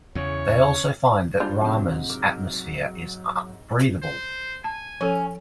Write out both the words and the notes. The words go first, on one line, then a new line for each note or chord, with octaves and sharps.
They also find that Rama's atmosphere is breathable.
E2 C#3 C#5
G3 D4 F4 C5 G6
G#2 C3 F3 F#3
F#3 A#4 D6
C5
G#5 A5
F3 C#4 A4 C#5